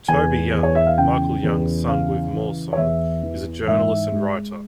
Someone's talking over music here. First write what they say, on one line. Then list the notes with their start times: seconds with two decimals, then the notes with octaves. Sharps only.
Toby Young, Michael Young's son with Moorsom, is a journalist and writer.
0.08 E2 G#5
0.53 E2
0.63 C#5
0.75 E5
0.86 F5
0.97 C#3 G5
1.43 E2
1.87 C#3 F5
2.33 E3
2.73 C#5
2.77 E2 E5
3.23 E3
3.67 G#2 E5
4.12 G#3